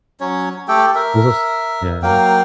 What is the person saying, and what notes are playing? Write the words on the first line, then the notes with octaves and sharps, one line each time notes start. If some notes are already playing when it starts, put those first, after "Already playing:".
This was Yeah.
F#3 C#4 C#5
A3 G4 A4 G5
A#4 E5
F#3 A#3 F5 G5